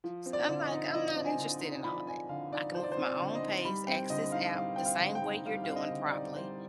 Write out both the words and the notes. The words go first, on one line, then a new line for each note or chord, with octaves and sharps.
So I'm like, "I'm not interested in all that. I can move at my own pace, ask this app the same way you're doing, probably,
F3
C4
D5
D3
D#5
D#4
F3 D#5
C4
G#5
D3
D#4
F3 B5
C4 G#5
D3 F5
D#4 D5
F3 C5
D5
C5
C4
D5
D3
D#5
D#4
G3 B5
C4 G5
D3 D#5
D#4 F5
G3 F5
C4 G5
F5
D3
G5
D#4
G3 F5
C4 F5
D#5
D3
D5
D#4
G3 C5